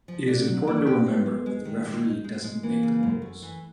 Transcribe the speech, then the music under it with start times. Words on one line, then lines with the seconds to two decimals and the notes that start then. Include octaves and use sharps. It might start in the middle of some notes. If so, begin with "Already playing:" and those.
It is important to remember that the referee doesn't make the rules.
0.08 F3
0.28 A3 D4
0.47 F#3
0.67 A#3 D4
0.87 G4
1.06 G#3 B3
1.26 G#3
1.46 G#3
1.65 D#3
1.85 G#3
2.05 D#4
2.24 G#3
2.44 G#3
2.63 E3 A#3
2.83 C#3
3.03 F#2
3.22 A3
3.42 E3